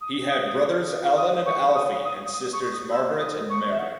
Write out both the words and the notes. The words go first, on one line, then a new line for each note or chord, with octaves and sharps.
He had brothers Alan and Alfie and sisters Margaret and Mary.
D#6
D#6
D#6
C#6
D#6
D#6
D#6
C#6
D#6
E6
D#6
C#6
E5
F#5